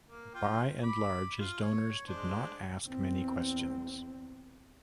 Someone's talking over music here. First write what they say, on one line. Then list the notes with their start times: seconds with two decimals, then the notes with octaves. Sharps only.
By and large his donors did not ask many questions.
0.08 A#3
0.34 F4 G5
0.83 B5 D6
1.39 F4
1.62 C#5
2.06 G#3 D4 C5
2.88 E2 C4